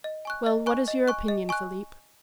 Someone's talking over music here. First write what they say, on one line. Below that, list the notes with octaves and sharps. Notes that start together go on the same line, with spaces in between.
"Well, what is your opinion, Philip?"
D#5
G#5 C#6 F#6
D#5
G#5 C#6 F#6
D#5
G#5 C#6 F#6
D#5
G#5 C#6 F#6